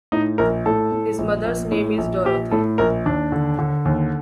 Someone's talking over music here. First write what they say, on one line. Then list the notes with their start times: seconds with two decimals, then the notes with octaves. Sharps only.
His mother's name is Dorothi.
0.12 A2 D#4
0.38 A#1 A#4
0.66 A2 A4
0.92 A2
1.19 A#1
1.45 A#1
1.71 A2
1.98 A#1
2.25 A#1 G4
2.51 A2 A4
2.78 A#1 A#4
3.06 D#2 D4
3.32 D3
3.59 D3
3.85 D#2